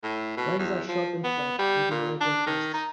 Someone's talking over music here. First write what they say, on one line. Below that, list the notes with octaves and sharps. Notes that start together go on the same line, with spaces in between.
Legs are short and flat with irregular crests.
A2
B2
E2
F3
B3
G3
A#2
D4
D#3
D#4